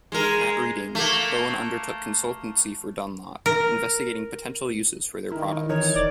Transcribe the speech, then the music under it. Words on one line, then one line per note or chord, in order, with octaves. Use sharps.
At Reading, Bowen undertook consultancy for Dunlop, investigating potential uses for their products.
G#3 A#4
A3 A#3
A#4
D#3 E4 A#4
E3 D#4 A#4 C#5
D#1 D5